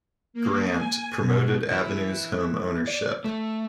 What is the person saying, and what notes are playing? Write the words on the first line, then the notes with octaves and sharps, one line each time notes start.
Grant, promoted Avenues home ownership.
A#3
G#5
B2
E3
D5
A3